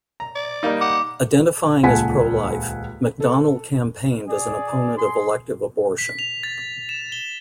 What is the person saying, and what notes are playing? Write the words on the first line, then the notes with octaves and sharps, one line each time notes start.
Identifying as pro-life, McDonnell campaigned as an opponent of elective abortion.
A#5
D5
G3 A#3 D#4
F#5 D6
D#1 C#2 F#5 G#5 A5 B6
A4
G#4 D5
G#4 C6
B6
F7
A6
E7
G7